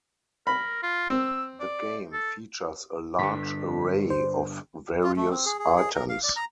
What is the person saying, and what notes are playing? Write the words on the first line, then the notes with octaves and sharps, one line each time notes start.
The game features a large array of various items.
A#4 B5
F4
C4 E6
D5
A4
G2 D3 B6
C5
F4
A3
C4
G#4
G#4
G#4
A#4
F5
D5
A#5